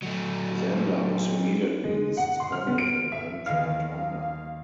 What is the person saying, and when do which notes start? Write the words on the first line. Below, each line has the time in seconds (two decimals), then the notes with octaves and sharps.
Zander was immediately suspended and then joined Honda.
0.02 F#3 A3
1.84 G#3
2.17 F#5
2.40 C6
2.52 F6
2.67 B3
2.78 D7
3.12 E5
3.46 D#2 D#3 F5